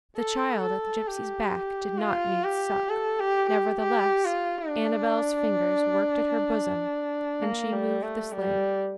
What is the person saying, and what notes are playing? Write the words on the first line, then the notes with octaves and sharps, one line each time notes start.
The child at the gipsy's back did not need suck; nevertheless, Annabel's fingers worked at her bosom, and she moved the sling.
A4
A4
G4
F4
G4
A4
G4
G4
G4
F4
D4
A#3
G3
A3
G3